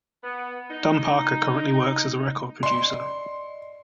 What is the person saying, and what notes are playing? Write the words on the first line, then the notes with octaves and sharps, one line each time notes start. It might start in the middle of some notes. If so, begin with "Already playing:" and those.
Dan Parker currently works as a record producer.
B3
D#4
D5 D#5 C6